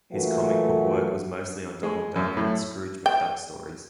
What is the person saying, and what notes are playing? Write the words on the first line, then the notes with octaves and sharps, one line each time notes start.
His comic book work was mostly on Donald Duck and Scrooge McDuck stories.
E3 F#3 A3 A#3 F4 F#4
G#3
F#2
A2
G5